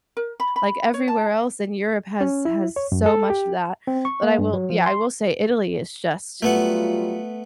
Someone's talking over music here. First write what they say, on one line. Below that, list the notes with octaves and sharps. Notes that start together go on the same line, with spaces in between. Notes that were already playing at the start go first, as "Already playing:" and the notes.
like, everywhere else, and Europe has has so much of that. But I will yeah, I will say Italy is just
A#4
B5
B5
C#5
A5
C#4
E4
C#5
F#2
A4
G4
C4
C#6
A#3
G2
F#3
F3
C6
F#3 G3 A3 B3 F4 F#5